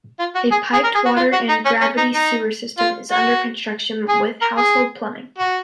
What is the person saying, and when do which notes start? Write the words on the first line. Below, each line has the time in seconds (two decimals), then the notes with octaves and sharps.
A piped water and gravity sewer system is under construction, with household plumbing.
0.19 F4
0.35 F#4
0.51 G#4
0.73 G#4
0.84 A#4
0.95 G#4
1.05 F#4
1.16 F4
1.32 F#4
1.49 D#4
1.65 C#4
1.81 C#4
1.97 D#4
2.14 D#4
2.78 F4
3.11 F#4
4.08 G#4
4.41 A#4
4.57 G#4
5.38 F#4